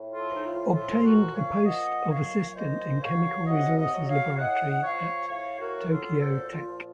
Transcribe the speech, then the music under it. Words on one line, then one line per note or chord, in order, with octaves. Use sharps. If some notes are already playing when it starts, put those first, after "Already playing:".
Obtained the post of assistant in Chemical Resources Laboratory at Tokyo Tech.
Already playing: A2
F4 A4
F3
D#4
F4
A#2 F4 A4
C5
F#4 A#4
F3
C#5 F5
A#2 D#5 F#5
F#3 C#5 F5
F5
A#2 C5 D#5
F#3 C#5 F5
C3 D#5 F#5
D#5 F#5
F#3
D#5
C#5 F5
A2 D#5 F#5
F3 C#5 F5
A2 C#5 F5
F#4 A#4
F#3
F4 A4
A#2 A4 C5
F4
F3